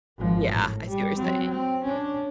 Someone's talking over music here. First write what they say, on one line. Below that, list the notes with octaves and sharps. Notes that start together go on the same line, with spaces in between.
Yeah, I see what you're saying.
G#1 F3
A2
G3
F#3 C4
C4
C#4 D4